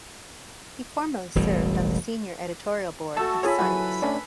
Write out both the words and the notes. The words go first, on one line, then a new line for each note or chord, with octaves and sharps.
He formerly served on the Senior Editorial Board of "Science".
E1 A1 B2 G3
A3 F#4 A4 A5 E6
F4 G#4 A4 C#5 G#5 B5
F#3 E4 F#4 B4 B5
A3 C#4 D4